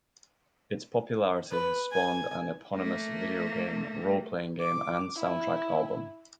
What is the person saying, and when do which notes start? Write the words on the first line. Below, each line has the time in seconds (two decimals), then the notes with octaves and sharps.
Its popularity has spawned an eponymous video game, roleplaying game, and soundtrack album.
1.51 B4
1.92 G#5
2.75 A3 A#3
4.60 D6
5.16 E4